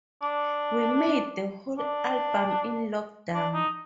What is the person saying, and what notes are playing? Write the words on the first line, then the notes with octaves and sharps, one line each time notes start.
We made the whole album in lockdown.
D4
D4
D4
D#4